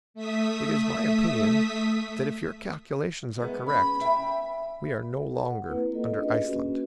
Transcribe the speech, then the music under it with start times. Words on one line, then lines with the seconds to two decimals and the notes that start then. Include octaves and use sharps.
"It is my opinion that if your calculations are correct we are no longer under Iceland."
0.14 A3 E5 D#6 B6
3.40 D#3 G#3 B3
3.66 C#4 B5
4.01 E5 G5
5.13 A4
5.42 F#5
5.68 A#3 C4 E4 B4
5.93 A#3 F4 A4 D#5
6.11 C#4 D4 G#4 B4 D#5
6.47 A#3 C#4 F#4